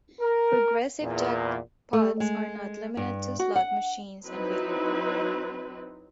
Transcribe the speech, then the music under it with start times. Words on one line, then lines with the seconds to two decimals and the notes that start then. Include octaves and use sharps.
Progressive jackpots are not limited to slot machines and video poker.
0.20 A#4
1.02 E2 A#2
1.93 A3
2.20 G#3
2.97 G2
3.39 F#4
3.56 F#5
4.25 F#3 C4 D#4 E4 B4